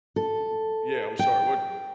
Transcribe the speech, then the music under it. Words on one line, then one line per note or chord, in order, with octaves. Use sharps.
Yeah, I'm sorry, what?
A4
G5